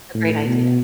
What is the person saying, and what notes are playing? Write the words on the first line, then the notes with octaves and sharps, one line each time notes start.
a great idea.
A2
B2